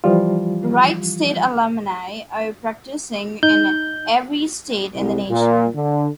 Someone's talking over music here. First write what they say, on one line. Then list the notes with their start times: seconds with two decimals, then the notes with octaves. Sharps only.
Wright State alumni are practicing in every state in the nation.
0.04 E3 F3 G3 F4
3.43 D#4 G6
4.95 C2
5.29 A#2
5.74 D3